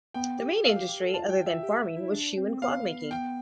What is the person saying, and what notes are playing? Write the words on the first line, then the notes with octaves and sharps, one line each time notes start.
The main industry, other than farming, was shoe and clog making.
B3 G5
G4
A4 F5
G4
G4
A4
F4 A5
G5
F4
E5
G4
E4
D4
C4
B3 F5
G5